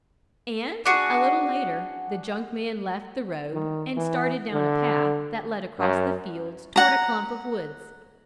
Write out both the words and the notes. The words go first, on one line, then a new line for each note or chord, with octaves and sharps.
And, a little later, the junk man left the road, and started down a path that led across the fields toward a clump of woods.
D4 F#4 G#4
D#3
E3
D3
F#2
F#5 A#5